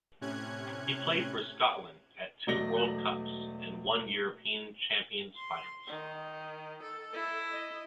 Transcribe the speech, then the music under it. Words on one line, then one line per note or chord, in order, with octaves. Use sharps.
He played for Scotland at two World Cups and one European Champions finals.
A2 C3 C#4 F#6 G#6
E1 F#3 A3 D5 D#5 A#6
C6
D#3
A4
E4
D#5